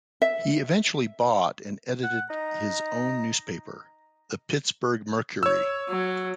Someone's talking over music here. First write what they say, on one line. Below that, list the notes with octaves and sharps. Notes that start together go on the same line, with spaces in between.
He eventually bought and edited his own newspaper, the "Pittsburgh Mercury".
E5
F#5
D#4 A#5
C#5 E6
F#3